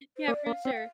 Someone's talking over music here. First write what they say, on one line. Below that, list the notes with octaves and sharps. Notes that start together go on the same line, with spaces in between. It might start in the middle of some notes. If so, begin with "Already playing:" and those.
yeah, for sure.
C5
A#3 D5
A#3 F5
C4 G5
F5